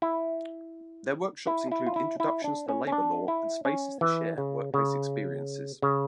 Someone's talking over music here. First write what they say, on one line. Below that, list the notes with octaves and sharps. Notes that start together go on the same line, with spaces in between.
Their workshops include introductions to labor law and spaces to share workplace experiences.
E4
E4
E4
F4
E4
E4
D4
C#4
C#4
D4
E4
C#4
E3
C#3
C#3
C#3